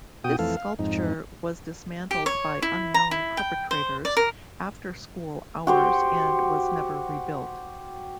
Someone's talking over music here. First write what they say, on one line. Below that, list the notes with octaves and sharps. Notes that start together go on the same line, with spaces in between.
This sculpture was dismantled by unknown perpetrators after school hours and was never rebuilt.
B2 F#4 G5 D#6
F2 E3 A3 A4 F5
F5
F2 G#2 D#4
G4
C#5
E4
A#5
E4
G5
C5
D5
A#4
F#4 G4 C5